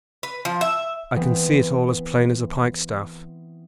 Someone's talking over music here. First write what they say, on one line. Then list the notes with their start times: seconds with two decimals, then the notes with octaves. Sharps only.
I can see it all as plain as a pikestaff.
0.23 B4
0.45 F3
0.61 E5
1.16 E3 B3 C4